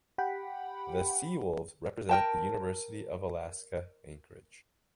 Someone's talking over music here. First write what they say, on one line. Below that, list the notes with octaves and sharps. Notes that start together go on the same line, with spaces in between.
The Seawolves represent the University of Alaska Anchorage.
G4 F#5 G5 B5
A#4 G5 A5